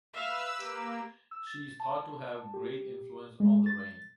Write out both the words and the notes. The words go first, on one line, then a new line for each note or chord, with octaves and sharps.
She is thought to have great influence on the rain.
B4 E5 F5 E6
A#3 G4
E6
A6
A5
G4
G#3
A6